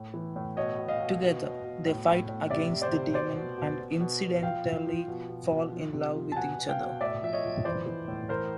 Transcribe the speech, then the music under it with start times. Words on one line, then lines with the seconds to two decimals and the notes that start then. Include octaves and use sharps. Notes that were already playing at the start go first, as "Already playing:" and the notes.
Together, they fight against the demon and incidentally fall in love with each other.
Already playing: A2
0.14 E3
0.36 A2
0.56 B2 C#5 D#5
0.78 B2
0.88 D#5 F5
1.00 B2
1.22 B2
1.43 B2
1.64 B2
1.85 A2
2.07 A2
2.29 A2
2.50 C3 D5 E5
2.71 C3
2.82 C5 D5
2.92 C3
3.14 B2 C5 D5
3.36 B2
3.58 B2
3.79 B2
4.01 B2
4.22 B2
4.43 F3 F5 G5
4.64 F3
4.87 F3
5.08 B2
5.29 B2
5.51 B2
5.72 F3
5.93 C3
6.15 F3
6.32 A5
6.36 B2 F#5 G#5
6.59 B2
6.69 F5 G5
6.80 B2
7.01 A2 D5 E5
7.22 F3 E5
7.33 C#5 D#5
7.44 F3
7.65 E3 C5 D5
7.86 E3
8.08 A2
8.29 E3 A#4 C5